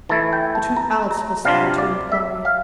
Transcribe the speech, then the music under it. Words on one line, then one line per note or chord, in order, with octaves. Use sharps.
But who else was there to employ?
E3 A3 E4 A5
G5
A5
A#5
A#5
C3 G3 D4 F4 F5
D5
E5
F5